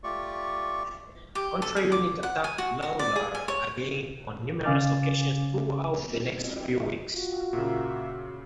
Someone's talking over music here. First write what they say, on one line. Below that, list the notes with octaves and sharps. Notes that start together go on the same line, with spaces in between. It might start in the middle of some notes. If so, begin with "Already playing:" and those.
Contra Unit attacked Lawlor again on numerous occasions throughout the next few weeks.
A3 F4 G4 D5 C#6
G4
A4
G#4
D6
F#5
G#5
F#4
F#4
D5
G#4
G#5
C#5
C#3 C#4 F5 G#5 D6 A6
F4 F#4
A#2 C#3 A#3 E5